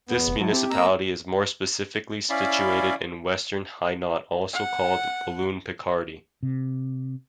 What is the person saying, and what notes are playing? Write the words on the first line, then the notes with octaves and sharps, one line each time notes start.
This municipality is more specifically situated in Western Hainaut, also called Walloon Picardy.
E2 B3
F1
F#3 E4 A5
C4 G4
A#3 A#4 D#5 A#5 E6
C#4 E4 D5 F5 B5
F#5
C3